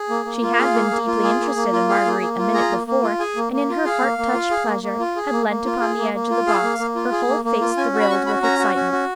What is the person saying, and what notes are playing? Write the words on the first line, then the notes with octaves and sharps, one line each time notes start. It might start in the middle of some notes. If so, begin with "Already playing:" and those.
She had been deeply interested in Marguerite a minute before, and, in her heart-touched pleasure, had leant upon the edge of the box, her whole face thrilled with excitement.
Already playing: G#4
A#3
A#3
F4
G#4 F5
A#3
A#3
F4
G#4
A#3
A#3
F4
G#4 F5
A#3
A#3
F4
G#4 A#5
A#3
A#3
F4
G#4 G#5
A#3
A#3
F4
G#4 F5
A#3
A#3
F4
G#4
A#3
A#3
F4
G#4
A#3
A#3
F4
G#4
A#3
A#3
F4
G#4 F5
A#3
A#3
F4
G#4
A#3
A#3
F4
C#4 G#5
F#4
B5
C#4 C#6
F#4 B5
C#4 A#5
F#4
C#4
F#4